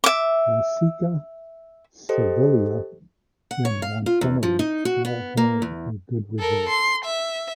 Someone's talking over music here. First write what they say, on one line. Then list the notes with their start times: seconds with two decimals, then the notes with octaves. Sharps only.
Laiseka, Sevilla and Montgomery all have a good result.
0.04 E5 D6
2.09 G4 A4 C5 D#5
3.51 F#5
3.65 C#5
3.82 F5
4.06 F4
4.21 E2
4.43 F3
4.59 D#4
4.85 F#4
5.05 B3
5.37 A#3
5.62 E2
6.39 A4 A#4
6.69 C6
7.05 E5